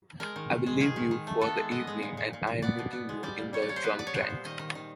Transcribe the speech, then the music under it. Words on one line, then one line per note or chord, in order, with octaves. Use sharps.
I’ll leave you for the evening and I’m meeting you in the drunk tank!
G#3 A#4
D#3
D#3
G#3
D#3 G#4
D#3
D#3
A3
B3 A4
G#3
B3 D#5
G#3
A#2
A#2
A#2
A#2
B3 D5
B2
B3
G#3
G3 D5
A#2
G3 C#5
D5
A#2 C#5
C5
B3 B4
B3 D5
C#5
B3 C5
A#2
D#3 D#5
D#3
D#3